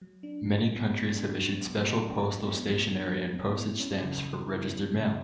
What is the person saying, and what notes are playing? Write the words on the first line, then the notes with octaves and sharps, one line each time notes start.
Many countries have issued special postal stationery and postage stamps for registered mail.
F#3
D4
F#3
B3
F#3
D4
F#3
B3
F#3
D4
F#3
B3
F#3
D4
F#3
B3
E4
C#4
C#3
F#3
E4
C#4
C#3